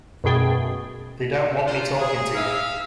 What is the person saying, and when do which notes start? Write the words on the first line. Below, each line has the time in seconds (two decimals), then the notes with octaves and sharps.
They don't want me talking to you.
0.24 F#2 B2 A3 G#4 G5
1.66 A#3 D4 F4 C5
1.99 G#4
2.35 E5 F5